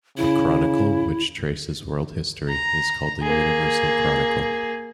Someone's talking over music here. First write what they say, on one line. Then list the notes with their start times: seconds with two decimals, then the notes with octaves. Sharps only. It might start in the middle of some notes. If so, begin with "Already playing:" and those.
A chronicle which traces world history is called a universal chronicle.
0.17 C#3 E4
2.49 A#5
3.22 A#3 G#4